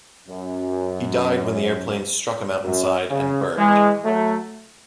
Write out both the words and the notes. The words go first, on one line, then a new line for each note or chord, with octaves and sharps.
He died when the airplane struck a mountainside and burned.
F#2
F#2
C#3
E3 G#3
F#3 A3